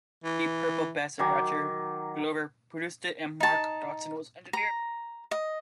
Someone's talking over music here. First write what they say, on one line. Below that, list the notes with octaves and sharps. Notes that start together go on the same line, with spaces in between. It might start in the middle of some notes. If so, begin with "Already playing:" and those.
Deep Purple bassist Roger Glover produced it and Mark Dodson was engineer.
E3
D#3 F#3 G#5 D6
D#4 A5
A#5
D#5